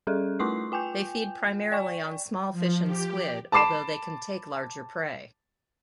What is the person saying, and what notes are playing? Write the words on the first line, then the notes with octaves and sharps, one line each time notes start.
They feed primarily on small fish and squid, although they can take larger prey.
G3 C#4 G#4 A4
A3 E4 F4 C6 C#6 C7
F4 G5 G#5 G6
D5 G5 C#6
F3
G4
A5 B5 D6 C7 E7